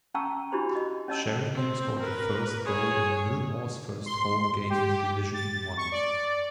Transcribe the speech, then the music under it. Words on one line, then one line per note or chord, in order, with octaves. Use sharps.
Sheringham scored the first goal in Millwall's first home game in Division One.
C#4 G5 A5 A#5 C#6 E6
D4 E4 F#4 G4 C5 B5
D#5
C#4 C#5 D#5 A5 E6
C4
A#4 B4
G#4 C#5
C6
G4
A6
C#6
D5